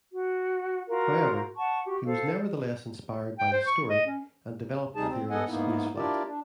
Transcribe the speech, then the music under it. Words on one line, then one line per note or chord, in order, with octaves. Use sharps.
However, he was nevertheless inspired by the story and developed the theory of spaceflight.
F#4
F4 F#4 A#4 F5
F#5 A5 C#6
F#4 G4
A4 C5 F5
G5
C5
C#6
D#5
C#4
D2 C3 G3 D#4 G#4 A5
C4
B3 A4 D#5 F#5 G#5
G#2 A#3 B3 D#4 E4
D4 E4 F4 G4 A#4 D5
D4